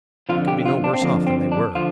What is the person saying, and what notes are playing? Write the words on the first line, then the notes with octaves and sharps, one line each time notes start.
They could be no worse off than they were.
F2 D3 F3 F4
G4
F4
D4
C4
F2 D3 F3 A#3
C4
D4
D3 F3 F4